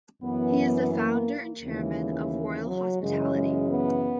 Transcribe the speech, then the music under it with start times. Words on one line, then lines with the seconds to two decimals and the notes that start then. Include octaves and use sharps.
He is the founder and chairman of Royal Hospitality.
0.22 F#2 E3 B3
0.93 A#3
1.62 D#2 C#3 E3
2.67 F#3
3.01 F#2 C#3 E3 G#3
3.36 G#3
3.71 B3